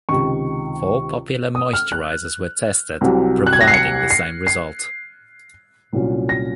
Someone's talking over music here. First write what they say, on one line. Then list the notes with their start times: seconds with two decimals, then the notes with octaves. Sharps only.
Four popular moisturizers were tested, providing the same result.
0.09 C#2 C3 D#3 C#6
1.55 D#6
1.73 F6
1.92 F#6
3.01 C2 C3 F#3
3.46 F#6
3.53 G#6
3.61 A#6
3.68 C7
3.74 C#7
4.10 C7
4.47 C7
5.93 C2 A#2 F#3 C#4
6.29 A#6